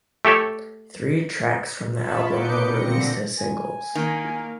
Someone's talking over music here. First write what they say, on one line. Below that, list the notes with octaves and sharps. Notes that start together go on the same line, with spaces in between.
Three tracks from the album were released as singles.
A3 G4 A4 C#5
F4 C#5 E5 A5 B5
B2 D#4 B4 D6 G6 C#7
A#2 D3 C4 A#6 C#7
G#5
D#3 A#3